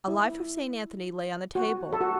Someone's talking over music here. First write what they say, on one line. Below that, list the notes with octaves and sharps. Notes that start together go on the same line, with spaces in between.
A life of St. Anthony lay on the table.
E4
F#4
A4
F#4